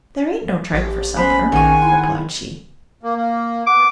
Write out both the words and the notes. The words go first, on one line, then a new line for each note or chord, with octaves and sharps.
"There ain't no tripe for supper," replied she.
A1 G4
B3 C#4 C5 B5
A#1 G2 D#3 G#4 F#5 G#5 C#6
E4 C6
A#3
A#3
B3 D6